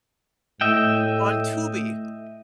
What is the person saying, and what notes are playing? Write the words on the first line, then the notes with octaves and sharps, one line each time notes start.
on Tubi
A2 D#5 E5 G5